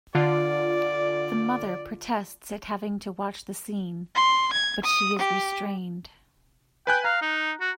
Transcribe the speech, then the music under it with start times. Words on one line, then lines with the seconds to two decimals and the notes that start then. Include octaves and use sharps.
The Mother protests at having to watch the scene, but she is restrained.
0.15 D3 F4 D5
4.15 C6
4.53 G#6
4.84 D#6
5.19 G4
6.87 B4 G5 G#5 F#6
7.04 F5 A#5
7.22 D#4
7.61 F#4